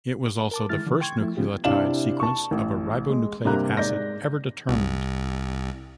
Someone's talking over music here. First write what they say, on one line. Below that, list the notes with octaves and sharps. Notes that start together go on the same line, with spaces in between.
It was also the first nucleotide sequence of a ribonucleic acid ever determined.
A#4 A5 D6
D3 D#3 G#3 E4 F6 A6
D3 F3
G5 C6 C#6 G#6
F3 A3 E4
C#3 F3 B3 C#4 F4 G4
C3 D4 E4 F5 E7 F#7
A5 C#6
A1
G#3
G2 C3 A#3 A#5 F#6
G#2 D5 G6 A#6
C2